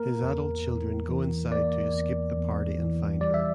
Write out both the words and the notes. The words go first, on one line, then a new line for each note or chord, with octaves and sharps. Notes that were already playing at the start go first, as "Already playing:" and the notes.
His adult children go inside to escape the party and find her.
Already playing: A#3 A#4
E2
E2
E3
A#3 D5
E2
E2
E3
G3 D5
E5